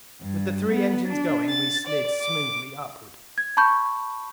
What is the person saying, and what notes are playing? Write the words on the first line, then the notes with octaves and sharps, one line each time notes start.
With the three engines going, we slid smoothly upward.
G2
B3
D4
A6
D5
D6
G#6
A5 B5 C#6 G6